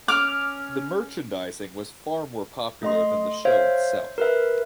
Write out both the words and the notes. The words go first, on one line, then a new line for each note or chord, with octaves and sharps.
The merchandising was far more popular than the show itself.
C#4 D6 F6
A3 D#5 C6
C5 C#5 E5 F5
A#4 B4 E5